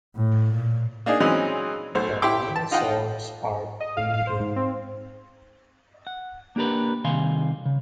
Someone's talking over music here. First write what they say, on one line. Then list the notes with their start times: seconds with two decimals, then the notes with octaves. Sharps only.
The dinosaurs are breeding!
0.16 A2
0.54 A#2
1.06 A#3 D4 D#4 G#4
1.20 E3 F#3 G#3 C4 C#4 D#4
1.95 B1 A3 C5
2.22 E4 G4 G5 C6 D6
2.56 A5
2.71 D#4 F4 D#5 F#5 G5
3.80 D#5
3.97 F5
4.14 F5
4.27 C5
4.40 G#2
4.56 C4
6.07 F#5
6.56 A#3 D4 G4 A#4 B4
7.05 C2 C3 D#3 F5 G#5 C6
7.66 C#3